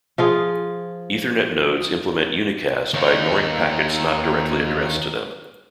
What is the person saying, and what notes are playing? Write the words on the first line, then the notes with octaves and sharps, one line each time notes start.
Ethernet nodes implement unicast by ignoring packets not directly addressed to them.
F3 F4 G#4
D#2 D#4